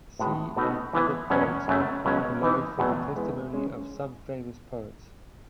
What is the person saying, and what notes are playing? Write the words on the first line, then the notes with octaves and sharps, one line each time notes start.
See and other poets below for the testimony of some famous poets.
A2 G#3 B3 F#4
B2 A3 D#4 F#4 B4
E3 B3 E4 B4 E5
E2 B2 F#3 C#4
F#2 C#3 F#3 A3
C#2 B2 F#3 C#4
E3 B3 D#4
E2 B2 F#3 A3
G#3 B3 E4
G#3 C#4 G#4 C#5